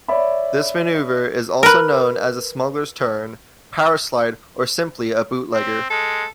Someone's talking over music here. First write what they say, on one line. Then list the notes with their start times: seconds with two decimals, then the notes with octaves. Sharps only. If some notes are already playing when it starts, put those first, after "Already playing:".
This maneuver is also known as a smuggler's turn, powerslide, or simply a bootlegger.
0.08 C#5 D5 E5 B5
1.63 A#4 B4
5.54 C4
5.91 G#3 A4